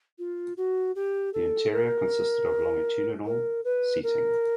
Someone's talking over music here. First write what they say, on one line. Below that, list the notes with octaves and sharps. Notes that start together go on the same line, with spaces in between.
The interior consisted of longitudinal seating.
F4
F#4
G4
A4
A#4
A#4
B4
A#4